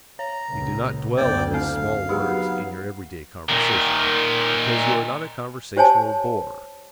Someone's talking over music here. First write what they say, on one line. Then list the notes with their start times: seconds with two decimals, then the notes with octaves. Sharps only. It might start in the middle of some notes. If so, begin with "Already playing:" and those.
You do not dwell on these small words in your everyday conversation, because you are not a conversational bore.
0.19 C#5 A#5
0.52 C#2 A#2
1.17 F#1 D2 B3 B4 C5 D5 G5
1.54 C4 F5
2.09 F#3 B3 D#4 G4 G#4
3.49 A#2 D#3
5.77 G4 C5 C#5 G#5 A5